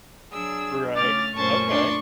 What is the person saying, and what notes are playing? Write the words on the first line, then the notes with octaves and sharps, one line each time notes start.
Right. Okay.
F#3 D4 G#4 E6
C#3 A3 C#4 D6 F6 A6
F#2 A#2 A3 C#4 C5 A5 C#6
D4 C6